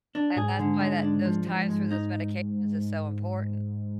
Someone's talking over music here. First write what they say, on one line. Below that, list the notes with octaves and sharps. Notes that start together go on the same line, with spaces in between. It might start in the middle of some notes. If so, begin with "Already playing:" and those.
And that's why that those times for those medications is so important.
D4
G#2 G#4
D3
G#3
D4
F3
F3
G#3
D#4